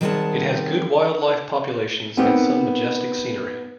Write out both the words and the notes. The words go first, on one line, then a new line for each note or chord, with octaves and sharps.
It has good wildlife populations and some majestic scenery.
D#3 G3 C4 G#4 F#5 A5
B3 C4 D#4 G4 A#4 B4